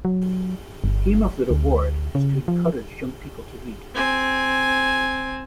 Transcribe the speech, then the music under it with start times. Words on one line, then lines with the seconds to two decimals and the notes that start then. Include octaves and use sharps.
The aim of the reward is to encourage young people to read.
0.05 F#3
0.84 G1
1.51 D2
2.15 C#3
2.48 F3
3.95 C4 G#5